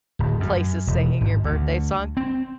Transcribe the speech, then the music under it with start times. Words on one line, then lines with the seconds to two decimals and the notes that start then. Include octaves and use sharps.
place is singing your birthday song.
0.19 D1
0.40 F#2
0.87 E1
1.21 G#1
1.44 D2
2.17 C4